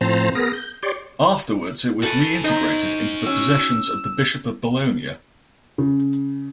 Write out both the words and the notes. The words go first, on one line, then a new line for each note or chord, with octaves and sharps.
Afterwards it was reintegrated into the possessions of the Bishop of Bologna.
A2 F3 C4 C5 A5 A#5
B3 G#4 A#4 A#6
G6
G4 C#5 D5 C6
F#4 A4 B4 G#5 A5
D#4 C5 D#5 A#5
C#4 E6
C#3